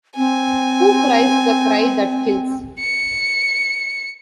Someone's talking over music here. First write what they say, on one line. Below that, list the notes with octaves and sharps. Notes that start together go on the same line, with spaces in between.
Who cries the cry that kills?
C4 G#5
C#7